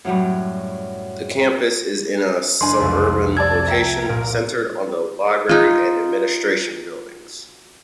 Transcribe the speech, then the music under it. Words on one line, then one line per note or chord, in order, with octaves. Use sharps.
The campus is in a suburban location, centred on the library and administration buildings.
F#2 A2 F#3 G3
F#1 D4 G#5 C6
C2 F2 A3
D5 A5 E6 G#6
E5 G5 A5 A#5
C2 A#2 A#4 D7
D#4 F4